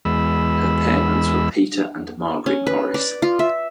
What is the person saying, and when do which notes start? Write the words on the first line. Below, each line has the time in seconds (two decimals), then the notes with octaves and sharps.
Her parents were Peter and Margaret Morris.
0.05 E2 G#3 B5 E6
2.46 C#4
2.67 B4
2.94 D5
3.22 F4
3.39 E5